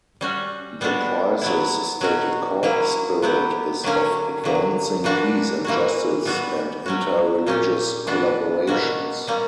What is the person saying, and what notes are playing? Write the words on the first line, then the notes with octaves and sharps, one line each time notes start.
The Prize's stated core spirit is of advancing peace and justice and inter-religious collaborations.
G3 C#4 F#4
G3 B3 D4 F#4
F#3 B3 E4
B2 F#3 C#4 F#4
F#3 A#3 C#4 E4
F#3 B3 E4 G4
D3 F#3 A#3 C#4
D3 F#3 A#3
E3 A#3 D4 F#4
E3 A#3 C#4 F#4
E3 G3 B3 F#4
F#3 C#4 F#4
A#2 A#3 C#4 G4
E3 B3 D4 F#4
B2 A#3 C#4 F#4
G3 A#3 C#4